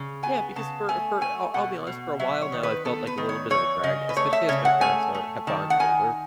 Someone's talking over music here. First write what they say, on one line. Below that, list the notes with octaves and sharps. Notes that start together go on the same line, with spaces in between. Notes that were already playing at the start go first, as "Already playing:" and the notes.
Yeah, because for for, I'll I'll be honest, for a while now, I felt like a little bit of a drag, especially as my parents are have gotten older.
Already playing: C#3
B3 G#5
C#3 A5
A3 G#5
A3 G#5
B2 F#5
B2
F#3 E5
C#5
D#3
B4
B3 A4
B4
D#3
C#5
E3 C#5
C#3 D#5
B4
A3 C#5
E5
C#3 C#5
F#5
A3 G#5
A3
D#3 A5
F#5
D#3 G#5